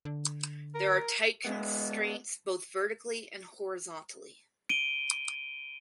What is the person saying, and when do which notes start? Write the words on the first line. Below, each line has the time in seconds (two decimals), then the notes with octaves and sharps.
There are tight constraints both vertically and horizontally.
0.05 D3
0.75 A#4
1.45 G#3 B3
4.69 D7 D#7 G7